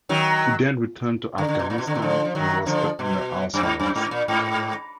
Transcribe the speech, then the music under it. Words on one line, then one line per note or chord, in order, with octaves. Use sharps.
He then returned to Afghanistan and was put under house arrest.
D#3 F#3
D3
D3
B2
A#2
B2
D3
B2 D#3
D3 F3
F3
D#3 F#3
D3 F3
B2
F#2
G#2
F#2
G#2
A#2
G#2